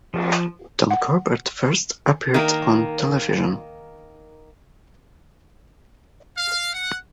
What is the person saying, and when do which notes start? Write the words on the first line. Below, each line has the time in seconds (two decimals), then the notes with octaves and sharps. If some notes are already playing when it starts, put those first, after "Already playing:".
"Tom Corbett" first appeared on television.
0.14 F3
0.91 F#5
2.34 D#3 A#3
6.37 F5
6.73 F#5